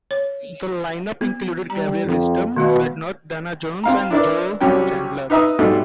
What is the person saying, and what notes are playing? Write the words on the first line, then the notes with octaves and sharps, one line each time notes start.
The lineup included Gabriel Wisdom, Fred Nurk, Dana Jones, and Joe Chandler.
C#5
B3
G3 A#5
F2
B2 D#3 A3 F5
C4 F5 A#5
D4 E4 A#4 B4 D5
C2 F#3 G3 C#4 G5
D#4 B4 E5 A#5 D#6
G#2 B2 G3 A3